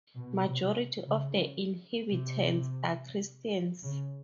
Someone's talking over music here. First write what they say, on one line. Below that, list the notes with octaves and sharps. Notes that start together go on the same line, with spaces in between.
Majority of the inhabitants are Christians.
B2
C3
C#3
C3
C#3